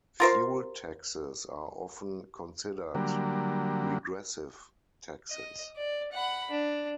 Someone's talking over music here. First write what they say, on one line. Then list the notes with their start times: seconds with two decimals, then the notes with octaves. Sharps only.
Fuel taxes are often considered regressive taxes.
0.20 F4 A#4 C5
2.95 D3 F#3 G3 A#3
5.30 D#5
5.76 D5
6.12 F#5 B5
6.50 D4